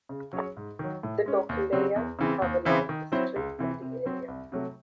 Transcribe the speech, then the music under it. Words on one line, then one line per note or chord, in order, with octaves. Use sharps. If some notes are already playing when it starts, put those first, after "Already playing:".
The Tokaleya have a long history in the area.
C#3
F#3 C#4 G#4 C#5
G#2
D#3 F#3
A2
G#3 C#4
D#2
C#3 F#3 C4
E2
C#3 E3 C4
D#2
C#3 E3 C4 E4
D#3
F#3 C4 E4 C5
C#2
C3 E3
C3
F#3 C4
C2
C3 F#3 A3